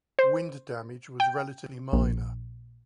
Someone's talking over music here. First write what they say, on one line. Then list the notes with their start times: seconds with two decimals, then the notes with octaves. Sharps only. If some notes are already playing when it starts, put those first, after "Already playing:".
Wind damage was relatively minor.
0.19 C5
1.20 G5
1.93 A#1